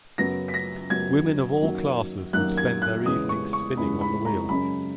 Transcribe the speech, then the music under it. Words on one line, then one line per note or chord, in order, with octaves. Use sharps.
Women of all classes would spend their evenings spinning on the wheel.
F#2 C#3 F#3 B3 A#6
B6
A#6
F#2 C#3 F#3 B3 G#6
F#2 D#3 F#3 A#3
F#2 D#3 F#3 A#3 F#6
G#6
F#6
E2 C#3 E3 G#3 C#4 D#6
C#6
C#6
E2 C#3 E3 G#3 C#4 B5
B5
A#5
F#2 C#3 G#3 C#4 B5